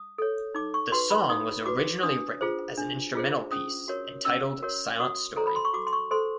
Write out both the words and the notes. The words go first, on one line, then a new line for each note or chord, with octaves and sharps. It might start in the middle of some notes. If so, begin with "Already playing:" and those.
The song was originally written as an instrumental piece and titled Silent Story.
Already playing: D#6
A4 C#5
D#4 D6
C#6
F#4 B4 C6
B5
D#4 D#6
F#4 B4 D6
D4 D#6
F4 G#4 C5
D4
F4 G#4 C5
C#4 D#6
F#4 A#4 C#5
C#4 E6
F#4 A#4 C#5
F#4 D#6
A4 C5 A#5
B5
C6
C#6
F#4 D6
C6
C#6
A4 C5 C6